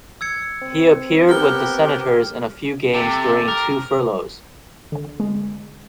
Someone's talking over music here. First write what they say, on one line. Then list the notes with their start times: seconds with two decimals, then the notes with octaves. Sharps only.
He appeared with the Senators in a few games during two furloughs.
0.21 E6 G#6 C#7
0.61 C4
1.29 B3 G4 A#4 F6 G6 G7
2.94 C3 G4 A4 A5
3.49 A#4
4.92 D3
5.20 G#3